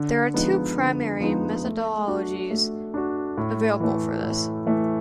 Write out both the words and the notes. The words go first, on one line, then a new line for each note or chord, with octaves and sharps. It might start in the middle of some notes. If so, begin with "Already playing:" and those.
There are two primary methodologies available for this.
Already playing: D3
F3 G#3 B3 D#4
D3
F3 G#3 B3 D#4
A3
D4 F#4
A3
D4 F#4
A2
E3 A3
A2
E3 A3